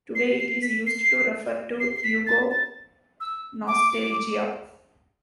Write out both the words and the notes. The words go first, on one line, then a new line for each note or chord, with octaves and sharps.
Today it is used to refer to Yugo-nostalgia.
C7
C7
B6
C7
C7
C7
B6
A6
A6
E6
D6